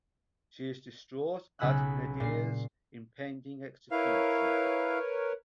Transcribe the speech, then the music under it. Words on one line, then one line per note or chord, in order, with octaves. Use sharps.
She is distraught at Nadir’s impending execution.
B1 C#3 G#4 B5 E6 F#6
A#2 C7
E4 A#4 B4 C#5 F5